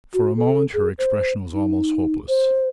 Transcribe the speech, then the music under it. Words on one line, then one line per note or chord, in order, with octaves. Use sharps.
For a moment her expression was almost hopeless.
F#4
A4
G#4
C5
D#4
C5